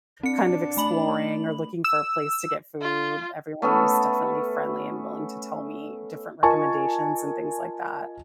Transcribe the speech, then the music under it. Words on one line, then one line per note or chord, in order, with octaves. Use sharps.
kind of exploring or looking for a place to get food. Everyone was definitely friendly and willing to tell me different recommendations and things like that.
C4 D4 C#7
A3 B5 F#7
E6
F4
A3 B3 C#4 A4
F4 A#4 D#5 G#5 A5 C#6